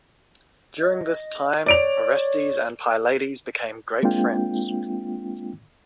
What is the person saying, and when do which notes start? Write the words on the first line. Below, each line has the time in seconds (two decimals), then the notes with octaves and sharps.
During this time, Orestes and Pylades became great friends.
0.80 D#5
1.66 C#5 D5 D7 F7
4.03 G#3 A#3 C4 D4 F4 G5